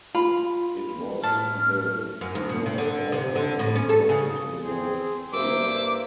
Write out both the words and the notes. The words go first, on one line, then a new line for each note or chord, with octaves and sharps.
It was the third airport constructed in the state.
F4 B5
A2 A5 F6
F#2
D2
B2
C3
D3
C3
D3
A2
C#4
A4
C#3
C4 G#4
G2 A#3 E4 C5 D6 E6